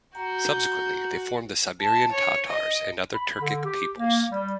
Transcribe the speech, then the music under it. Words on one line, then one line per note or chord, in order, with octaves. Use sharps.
Subsequently, they formed the Siberian Tatars and other Turkic peoples.
F#4 A#5 G6
A5
C#5
D#5
B5
D3
G4
A#3
G3